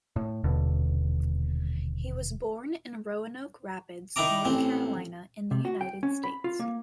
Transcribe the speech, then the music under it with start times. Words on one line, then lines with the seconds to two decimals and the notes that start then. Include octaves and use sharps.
He was born in Roanoke Rapids, North Carolina in the United States.
0.16 A2
0.44 D#1 D#2 B2 D3
4.16 D#3 D#4 E4 A#5 D6
4.45 A1 C4
5.51 C3
5.65 F#4
5.81 G5
6.03 C#4
6.24 B5
6.44 F4
6.59 A#3